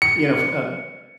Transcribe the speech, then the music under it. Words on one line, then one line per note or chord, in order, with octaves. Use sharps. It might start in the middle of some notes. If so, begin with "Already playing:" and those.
you know, f uh
C#7